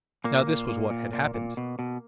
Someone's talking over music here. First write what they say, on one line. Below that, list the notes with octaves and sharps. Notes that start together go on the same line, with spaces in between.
Now this was what had happened.
A#2 A#3
A#2
A#2
A#2
A#2
A#2
B2
B2